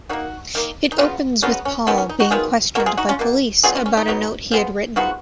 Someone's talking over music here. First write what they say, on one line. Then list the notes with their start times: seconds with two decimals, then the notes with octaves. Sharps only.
It opens with Paul being questioned by police about a note he had written.
0.09 D#3 A#3 D#4 F#4
0.55 D#3 A#3
0.92 D#4
0.98 C#3 F#3 B3 C#4 F4
1.42 C#3 F#3 B3 C#4 F4
1.65 C#4
1.87 D#3 F#3 B3 C#4
1.98 C#4
2.09 D#4
2.20 D#4 F#4
2.31 D#3 F#3 B3 F4 G#4
2.75 A#3 F#4 A#4
2.80 B2
2.86 F4 G#4
2.97 D#4 F#4
3.09 C#4 F4
3.19 B2 A#3
3.63 B2 F#3 B3 F4 G#4
3.75 C#4 F4
3.86 C#4
3.97 D#4
4.08 B2 F#3 B3
4.51 F3 G#3 B3
4.96 F3 G#3 B3 D#4 F#4